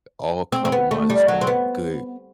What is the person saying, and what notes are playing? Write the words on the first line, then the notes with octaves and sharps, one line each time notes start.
all compromises aren't good
C4
C4
B3
A3
G3
F#3
C4
B3